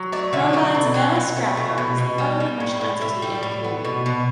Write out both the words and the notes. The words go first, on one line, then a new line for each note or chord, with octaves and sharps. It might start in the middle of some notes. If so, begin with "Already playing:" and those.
Grumbine's Metal Scrap Yard is the other commercial entity in the community.
Already playing: F#3
A3 D5
D3 E5
F#3 D5
B2
F#3
B2
A3
B2
B2
B2
G3
G3
A2
A2
A2 E5
G3
A2
B3
B2
B2